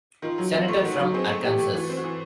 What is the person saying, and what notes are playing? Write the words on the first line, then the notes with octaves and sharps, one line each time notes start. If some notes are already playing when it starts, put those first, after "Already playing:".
Senator from Arkansas.
D#3 F4
F#3
C4 F4
A3
D#3 F#4
F#3
C4 G#4
A3
E3 G4
A3
E3 F#4
C4
E3